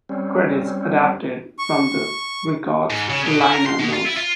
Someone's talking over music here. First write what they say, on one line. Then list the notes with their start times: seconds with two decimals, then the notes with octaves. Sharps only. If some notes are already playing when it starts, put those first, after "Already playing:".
Credits adapted from the records' liner notes.
0.09 G3 C4 C#4
1.59 C#6
2.90 G#2
3.10 C#3
3.26 B2
3.41 E4
3.54 A#4
3.66 C6
3.79 B2
3.93 F4
4.05 E4
4.16 F4